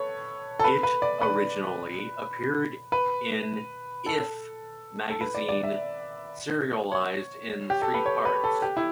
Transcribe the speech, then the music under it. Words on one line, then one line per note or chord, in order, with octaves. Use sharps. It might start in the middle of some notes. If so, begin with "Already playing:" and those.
It originally appeared in "If" magazine, serialized in three parts.
Already playing: A4 B4 C#5
A4
B4
B4
D5
B4
B4
A4
A4
B4
D5
D5
E5
C#5
G4
A4
B4
C#5
B4
A4
G4
E4